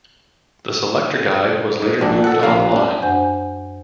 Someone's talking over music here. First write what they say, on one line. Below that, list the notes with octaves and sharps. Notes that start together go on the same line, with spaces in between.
The selector guide was later moved online.
G#2
A#1 D4
A4 F#5
A#1 C3 A#3 F5
C#4 D4
F#2 D4 C5 F#5 G#5 G6